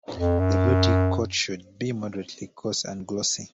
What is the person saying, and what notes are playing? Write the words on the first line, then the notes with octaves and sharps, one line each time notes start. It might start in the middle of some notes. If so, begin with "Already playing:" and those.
The Bluetick coat should be moderately coarse and glossy.
F2
F#2